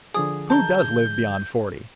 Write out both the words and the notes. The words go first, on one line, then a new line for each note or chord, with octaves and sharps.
Who does live beyond forty?
D3 F3 G#4 D5 D#6
D#3 A#4 A5 G6